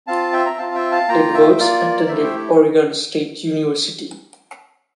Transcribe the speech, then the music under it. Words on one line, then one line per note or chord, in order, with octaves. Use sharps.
Edwards attended Oregon State University.
C4 F4 F5 A5
E5 G5
A#5
C4 F4 F5 A5
E5 G5
F5 A5
A#3 F4 G5 A#5
E5 G5
C5
A#3 F4 A#4 D5
A3 E4 G4 C5 E5
G5